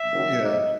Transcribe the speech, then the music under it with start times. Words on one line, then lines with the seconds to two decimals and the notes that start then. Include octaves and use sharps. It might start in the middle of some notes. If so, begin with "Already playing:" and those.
y yeah.
Already playing: E5
0.11 F#1 F#2 D#3 F#3
0.40 G#2 F#3 A#3 D#5